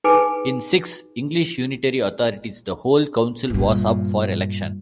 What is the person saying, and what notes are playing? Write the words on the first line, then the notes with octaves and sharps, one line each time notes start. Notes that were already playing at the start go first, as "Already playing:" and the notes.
In six English Unitary authorities, the whole council was up for election.
D#4 G#4 B4 G5 G#5 D6
G2 A#2